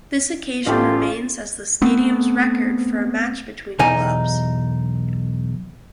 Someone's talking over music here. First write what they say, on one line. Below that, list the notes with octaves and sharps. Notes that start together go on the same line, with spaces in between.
This occasion remains as the stadium's record for a match between clubs.
A1 A3 C#4 F4 G4
A3 B3 C4
B1 E2 D#4 G#5